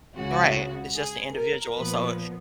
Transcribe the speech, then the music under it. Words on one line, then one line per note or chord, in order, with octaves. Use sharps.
Right. It's just the individual. So
C#2 C#3 G#3 F#4
G#4
A#4
A#2 F3 B3 B4